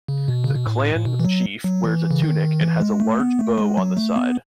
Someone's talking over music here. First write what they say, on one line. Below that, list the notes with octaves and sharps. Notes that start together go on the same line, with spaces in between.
The clan chief wears a tunic and has a large bow on the side.
C#3
B2
C#3
B2
A2
A2
B2
E3
F#3
F#3
E3
C#3
D#3
E3
G#3
A3
B3
A3
G#3
F#3
A3
B3